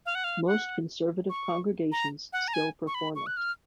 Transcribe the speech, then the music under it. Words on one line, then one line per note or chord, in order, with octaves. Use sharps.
Most Conservative congregations still perform it.
F5
F#5
F5
F#5
C#6
A#5
F#5
A#5
G#5
C#6
B5
C#6
F#6
F6